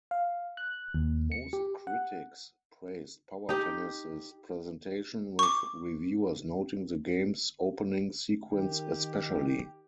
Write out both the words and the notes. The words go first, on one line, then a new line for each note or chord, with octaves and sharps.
Most critics praised "Power Tennis"s presentation, with reviewers noting the game's opening sequence especially.
F5
F#6
D#2
C#7
G4
F#5
D#4 G4
C#6 D6
D#3 G4